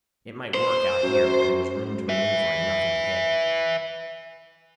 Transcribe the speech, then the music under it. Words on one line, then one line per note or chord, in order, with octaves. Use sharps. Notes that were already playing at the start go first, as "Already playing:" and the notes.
It might work out here where there was room to maneuver and nothing to hit.
C5
F#2
B4 E5